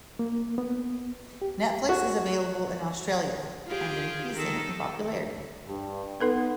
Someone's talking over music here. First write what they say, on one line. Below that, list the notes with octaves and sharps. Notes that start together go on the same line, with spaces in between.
Netflix is available in Australia and increasing in popularity.
A#3
B3
G4
F#4
F4 G4 G#4
D#3 A4
G2
B3 D#4 A4 B4